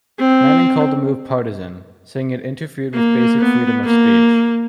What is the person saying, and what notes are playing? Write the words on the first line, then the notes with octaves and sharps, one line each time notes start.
Manning called the move partisan, saying it interfered "with basic freedom of speech".
C4
A#3
B3
A#3